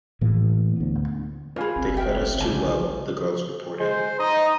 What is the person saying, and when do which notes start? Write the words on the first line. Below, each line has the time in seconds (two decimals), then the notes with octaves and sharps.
"They fed us too well," the girls reported.
0.21 A2 E3 A#3
0.77 D2 B3
1.56 F4 G#4 A#4 G#5 B5
1.76 F#1 B1 C4
1.97 A#4 E5 G5
2.41 D2 C#3 G3 G#5
3.80 G#3 C5
4.19 D#4 D#5